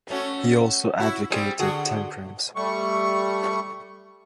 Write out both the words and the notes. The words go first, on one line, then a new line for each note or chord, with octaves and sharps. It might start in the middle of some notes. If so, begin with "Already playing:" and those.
He also advocated temperance.
A3 C#4 F#4
E4 F#4
G3 C4 G#4
D3 F#4 G#4
G3 A3 C#6